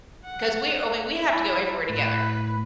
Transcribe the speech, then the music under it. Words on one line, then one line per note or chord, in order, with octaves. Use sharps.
'cause we're I mean, we have to go everywhere together,
F#5
E4
A2 B4